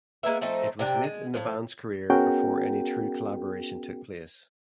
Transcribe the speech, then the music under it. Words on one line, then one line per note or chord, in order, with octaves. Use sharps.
It was late in the band's career before any true collaboration took place.
G#3 A#3 B3 E5
F3 A3 C4 D#4
C3 D4 G5
G#3
A2 C#3 F3
B3 C#4 F#4 G#4 A#4 G5